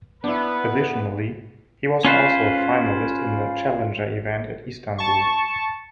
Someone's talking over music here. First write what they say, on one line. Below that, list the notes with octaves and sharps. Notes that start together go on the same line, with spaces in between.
Additionally, he was also a finalist in a challenger event at Istanbul.
B3 D4 E4 B4
C#4 F4 B4 C5
A5 C#6